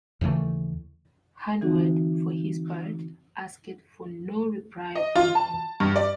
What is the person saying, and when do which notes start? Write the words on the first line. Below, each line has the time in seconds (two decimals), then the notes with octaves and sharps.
Hanaud, for his part, asked for no reply from him.
0.21 D#2 C#3 E3 A3
1.61 D3 E3 C4 D#4 F#4
4.95 D#5
5.16 F4
5.35 A5
5.80 G2
5.96 D5